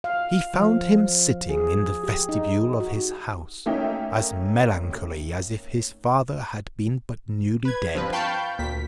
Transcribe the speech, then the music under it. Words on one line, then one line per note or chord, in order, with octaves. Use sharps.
He found him sitting in the vestibule of his house, as melancholy as if his father had been but newly dead.
F5
F3
G#4
G4
D#4
F#4
A3 A#3 C#4 D#4 E5 G5
B4 G#6
G2 F3 C4 B4
F5 G5 A5 B5 C#6 G6
D2 A#2 B6